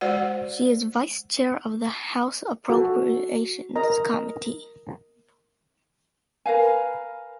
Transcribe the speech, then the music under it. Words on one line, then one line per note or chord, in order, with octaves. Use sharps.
She is vice chair of the House Appropriations Committee.
G#3 F#4 C5 D5 F#5
F#4 A4
A#4 D#5 A#5
A#4 B4 F5 G#5